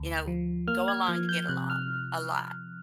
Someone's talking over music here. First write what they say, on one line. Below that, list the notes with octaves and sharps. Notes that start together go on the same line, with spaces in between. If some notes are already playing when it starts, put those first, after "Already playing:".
you know, go along to get along a lot,
Already playing: D2
F3
A#3 F6
G#6
F3
G6
C3 F#6
F6